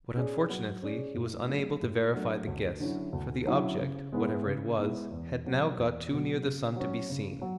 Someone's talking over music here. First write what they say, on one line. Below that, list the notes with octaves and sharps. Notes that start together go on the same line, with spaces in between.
But unfortunately he was unable to verify the guess, for the object, whatever it was, had now got too near the sun to be seen.
C#4 G#4 D5
F#3
C#4 G#4 D5
A2
F#3 A3 D4
A2
F#3 A3 D4
D2
D3 F#3 C#4 E4
D2
D3 F#3 C#4 E4
C#3
G#3 B3 E4
C#3
G#3 B3 E4
E2
B2 F#3
E2
B2 F#3
C#3
F#3 C#4
C#3
F#3